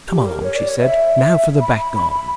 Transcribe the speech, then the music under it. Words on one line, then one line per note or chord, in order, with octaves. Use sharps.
"Come along," she said; "now for the back garden."
G4
A#4
C#5
D5
C#5
E5
B5
B5
B5
B5